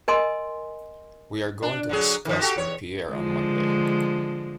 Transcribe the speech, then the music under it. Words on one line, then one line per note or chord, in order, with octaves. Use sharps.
We are going to discuss with Pierre on Monday.
A#4 D#5 G#5 C6 D#6
D4
D3 F#3 G#4
D#3 F3
F#4 G4 A4
E2 C#5
D3 F3 G#3